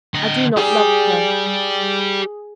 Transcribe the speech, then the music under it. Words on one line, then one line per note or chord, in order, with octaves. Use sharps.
I do not love her.
D3 D#5
G4 G#4 D5